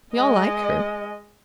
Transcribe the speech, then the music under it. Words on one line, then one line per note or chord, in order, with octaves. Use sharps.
We all like her.
G#3 D#5